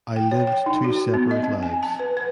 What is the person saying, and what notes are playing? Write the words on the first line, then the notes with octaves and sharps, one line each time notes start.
I lived two separate lives.
G5
C#5
G5
D#4
F#4
B3
D#5
C4
G#5
A5
B4
B4